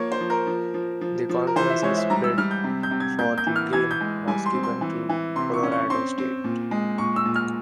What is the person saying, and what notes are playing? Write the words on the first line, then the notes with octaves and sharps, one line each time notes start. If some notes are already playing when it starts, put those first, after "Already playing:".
The conference's bid for the game was given to Colorado State.
Already playing: F3 A#3 C#5
C5
F3
A#4
F3
F3
F3
F3
A#4
E3 C5
E5
G#3 C#5
E5
G3 A#5
E6
G3 F6
G6
C3
G6
C3
G#6
A#3 G6
G6
E3
F6
E3 G#6
G6
G#3
G3 G#5
C6
C4
C6
E3
E3
C3 C6
C#6
C#4
C#6
C4 C6
C4
A#2
G#3
A#2 C#6
E6
A#2
F6